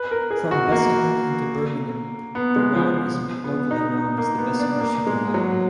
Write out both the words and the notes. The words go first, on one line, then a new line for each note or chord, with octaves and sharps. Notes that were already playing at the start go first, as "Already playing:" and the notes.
From Bessemer into Birmingham, the route is locally known as the Bessemer Superhighway.
Already playing: B4
A#4
G#4
F#4
A#3
B3
G#3
F3
F3
B3
D#4
D#4
A#3
B3
D4
A#3
G#3
F#3